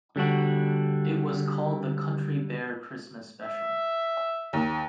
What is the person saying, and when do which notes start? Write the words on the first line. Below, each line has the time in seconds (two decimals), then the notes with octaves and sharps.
It was called The Country Bear Christmas Special.
0.16 D3 G3 D4 F#4
3.42 E5
4.53 D#2